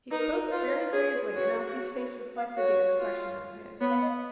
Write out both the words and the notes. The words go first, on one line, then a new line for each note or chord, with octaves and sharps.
He spoke very gravely and Elsie's face reflected the expression of his.
D#4 B4
A#4
A#4
C#5
F4 B4
C#5
B4
G#4 C#5
B4
F#4 C#5
B4
F5
F#4 C#5
F4
B3 C#5
F5
D#5